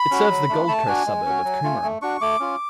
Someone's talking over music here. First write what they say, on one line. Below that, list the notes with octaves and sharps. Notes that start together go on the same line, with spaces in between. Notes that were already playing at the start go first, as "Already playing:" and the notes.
It serves the Gold Coast suburb of Coomera.
Already playing: B5
C#4 F#4
F#3
A3 D4 F4
A3 A5
D4 F#4 G#5
G#3
C#4 F#4
F#3
A3 F4
A3
D4 F#4 C#6
A3 D6
C#4 F4